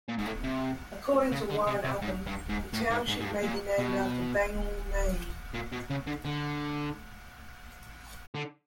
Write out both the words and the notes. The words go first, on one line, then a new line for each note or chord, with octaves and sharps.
According to Warren Upham, the township may be named after Bangor, Maine.
A#2
G#2
A2
C3
C#3
D3
C3
C3
G#2
G2
G#2
A2
G#2
G#2
G#2
G2
A#2
B2
A#2
B2
C#3
D3
D3
D3